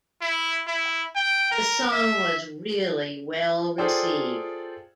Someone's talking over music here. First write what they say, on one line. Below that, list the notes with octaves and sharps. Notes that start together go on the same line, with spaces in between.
The song was really well received.
E4
E4
G5
A#4
E5
F4 G#4 A4 C5 D5 G5